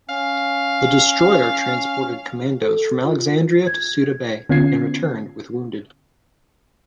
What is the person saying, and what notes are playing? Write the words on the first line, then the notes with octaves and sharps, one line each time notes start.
The destroyer transported commandos from Alexandria to Suda Bay, and returned with wounded.
C#4 F5
A4
F4
G#6
D3 B3 C#4 F4 G#6 C7